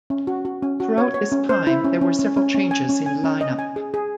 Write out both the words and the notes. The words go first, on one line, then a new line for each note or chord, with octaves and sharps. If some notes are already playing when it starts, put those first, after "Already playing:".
Throughout this time there were several changes in line-up.
C#4
F#4
F#4
C#4
F#4
C#5
C#5
C#4
C5
E4
C#4
C#4
C#4
C#4
C#4
G#5
C#4
G#5
C#4
D#5
G#5
G#4
G#4